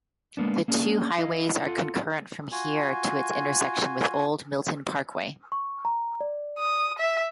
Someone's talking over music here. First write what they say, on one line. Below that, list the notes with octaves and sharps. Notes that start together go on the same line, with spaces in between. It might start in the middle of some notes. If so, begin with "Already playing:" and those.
The two highways are concurrent from here to its intersection with Old Milton Parkway.
G#3 A#3 B3 D4
A#3 C#4 D4 G#4
E4 D#5 F5
F4 A4 F#5
F4 F#4 G#5
C#6
A#5
D5
D#6
E5